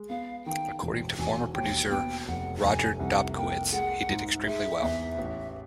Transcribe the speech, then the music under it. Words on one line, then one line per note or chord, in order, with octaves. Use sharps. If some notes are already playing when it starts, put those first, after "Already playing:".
According to former producer Roger Dobkowitz, he did extremely well.
Already playing: G#3
B3 F5
D#3 G5
E1
E1 G#5
D#2 G5
B3 G5
F1 F#5
F1 G#5
C2 F#5
A#3 G5
G#3 F#5
G#2
G#3 E5
E2
A1